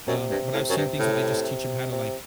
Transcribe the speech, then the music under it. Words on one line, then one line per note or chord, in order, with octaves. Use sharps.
Um, but I've seen things where they just teach 'em how to, like,
F#2 C3
G2
A2
F#2
G2
A2
C3